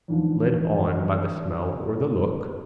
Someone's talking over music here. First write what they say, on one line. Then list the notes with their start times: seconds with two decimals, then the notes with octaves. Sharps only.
Led on by the smell or the look.
0.08 E2 G#2 D3 D#3 F3